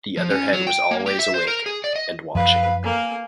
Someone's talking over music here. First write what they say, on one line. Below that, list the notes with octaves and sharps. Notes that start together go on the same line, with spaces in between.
The other head was always awake — and watching.
F3
C#4
F#3
G5
A#3
G4
E5
C5
A#4
G#4
D5
D#5
F#2 F3 B4 F5
A#3 A#4 G#5